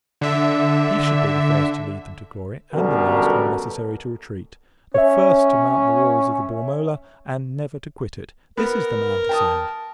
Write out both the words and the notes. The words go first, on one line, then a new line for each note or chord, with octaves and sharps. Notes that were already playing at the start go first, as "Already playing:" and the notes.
He should be the first to lead them to glory; and the last, when necessary, to retreat: the first to mount the walls of the Bormola, and never to quit it. This is the man to send.
D3 E5
F#2 B2 D3 G3 A4 A#4
C#4 C#5 E5
B3 A#4
G5 A5 D#6